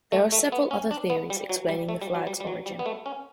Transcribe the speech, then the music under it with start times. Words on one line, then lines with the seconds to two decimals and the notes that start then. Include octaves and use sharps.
There are several other theories explaining the flag's origin.
0.12 A3
0.32 A3
0.52 B3
0.71 C#4
0.91 D4
1.10 B3
1.30 G3
1.49 F#3
1.69 G3
1.89 A3
2.01 G3
2.15 F#3
2.27 G3
2.40 G3
2.47 F#3
2.66 G3
2.79 B3
2.86 A3
3.06 C#4